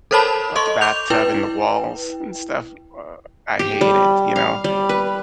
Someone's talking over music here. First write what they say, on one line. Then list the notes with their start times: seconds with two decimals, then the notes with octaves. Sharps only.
off the bathtub and the walls and stuff, uh, I hate it, you know.
0.11 A4 A#4 C5 C#5 A5 B5
0.55 A4 D#5 C6 C#6
0.81 D6 G6 F7
1.10 E4 B4 G5
3.59 G4
3.81 G3
4.36 F5
4.64 G3
4.89 B4